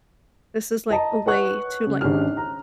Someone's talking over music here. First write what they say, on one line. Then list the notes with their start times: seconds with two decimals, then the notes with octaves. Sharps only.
this is, like, a way to, like,
0.90 D#5 A5 A#5
1.26 B4 C#5 F#5 C#6 F#6
1.87 C#3
2.01 G#1 G#2 C#4 D4 G4 F6
2.37 A#5